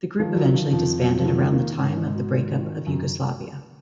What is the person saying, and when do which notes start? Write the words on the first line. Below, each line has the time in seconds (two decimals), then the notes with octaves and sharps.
The group eventually disbanded around the time of the Breakup of Yugoslavia.
0.19 D#3 F3
0.36 F#3
0.46 D#3
0.55 F3
0.72 F2 F3
0.99 F2 F#3
1.19 F3
1.25 D#3 F#3
1.39 G#3
1.52 D#3 A#3
1.79 G#2 C#4
1.97 D#4
2.06 G#2
2.15 F#4
2.33 D#3
2.59 D#3
2.87 F#2